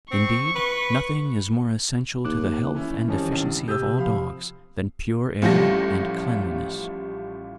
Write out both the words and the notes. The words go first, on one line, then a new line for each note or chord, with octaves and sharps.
Indeed, nothing is more essential to the health and efficiency of all dogs than pure air and cleanliness.
C4 C#6
B4
D#2 D6 F#6
E3 A3 C#4 E4
F2 D#3 F3 G3 C#4
C#2 G2
C3 G4 D#6 E6 G6
F3 F5 B5
A1 F3 G3 A3 A#6